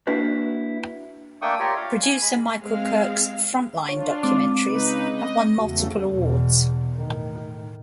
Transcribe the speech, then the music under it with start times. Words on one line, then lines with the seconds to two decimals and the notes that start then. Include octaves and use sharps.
Producer Michael Kirk's "Frontline" documentaries have won multiple awards.
0.07 A#3 D4 E4 F#4 B4 C5
1.42 A3 A#3 D4 G5 C#6 D#6
1.60 F4 G4 A#4 C#5 D5
1.76 F5
2.03 G#5
2.22 G#3 B5
2.64 G#3 C4 F5
3.89 D4 F4 C#5
4.23 G#3 C4 D6
4.64 C#3 D#4 B4
5.09 D#5
5.58 E2 C#3 A3 F#4
6.12 E2 B2
6.96 A2 D#3